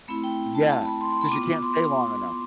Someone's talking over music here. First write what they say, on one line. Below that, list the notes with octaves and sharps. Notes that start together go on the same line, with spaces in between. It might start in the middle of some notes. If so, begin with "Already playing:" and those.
Yes, 'cause you can't stay long enough.
A3 C4 E4 B5
G5
A5
A5
B5
C6
C6
B5
B3 F4 D6
D6
C6